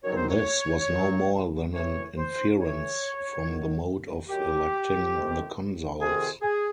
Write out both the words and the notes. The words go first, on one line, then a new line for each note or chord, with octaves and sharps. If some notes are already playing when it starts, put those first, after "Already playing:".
This was no more than an inference from the mode of electing the consuls.
F#2 D#3 F#3 C#5
C5
C#5
F#2 D#3 F#3
A2 E3 C#5
C5
A2 E3 C#5
F#2 D#3 F#3
F#2 D#3 F#3 G4
F2 C3 D#3
F2 C3 D#3 G#4
G#4